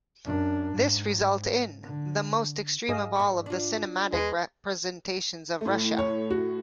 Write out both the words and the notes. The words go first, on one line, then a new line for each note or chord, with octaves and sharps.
This resulted in "the most extreme of all of the cinematic representations of Russia".
F#2 D4
G#2
D3
G#2 G#4 D#5 F5
G2 E5 C#6
D4 F4
E2 G#3 B4
A2 A3
C#5
F#4